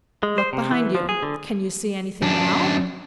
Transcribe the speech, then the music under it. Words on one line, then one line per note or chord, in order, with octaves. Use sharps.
'Look behind you! can you see anything now?'
G#3
C5
C3
E3
F3
G#4
D3
F#2 D4